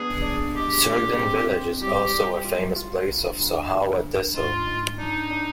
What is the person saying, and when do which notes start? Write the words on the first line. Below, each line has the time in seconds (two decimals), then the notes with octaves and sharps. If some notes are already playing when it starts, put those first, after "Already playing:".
Surgdhan Village is also a famous place of Sohawa Tehsil.
Already playing: B3 D4 G#4
0.22 D4
0.55 G#3 G4
0.85 G#3
1.18 C4
1.49 C4
1.81 G3 G4
2.13 G3
2.45 F4
2.76 F4
3.08 D2
3.40 D2
3.71 D2
4.03 D2
4.34 G#2 F4
4.67 G#2
4.98 D4 D#4
5.30 D4